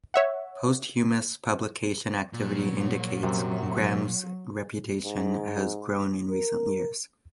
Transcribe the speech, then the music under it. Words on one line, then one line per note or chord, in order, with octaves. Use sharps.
Posthumous publication activity indicates, Graham's reputation has grown in recent years.
C#5 E5 F#5
A#2 F#3
F#2 C3
G#2
A#4